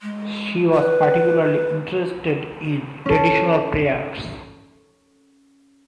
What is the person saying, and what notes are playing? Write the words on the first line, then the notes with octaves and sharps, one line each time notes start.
She was particularly interested in traditional prayers.
G#3
B4
C#4 A4